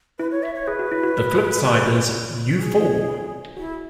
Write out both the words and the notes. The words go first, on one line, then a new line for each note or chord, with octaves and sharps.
The flip side is "You Fool".
E4 B4
C#5
E5
C#5
G#4 B4
F#4
E4
F#4
F#4
F#4
G#4
E4 F#4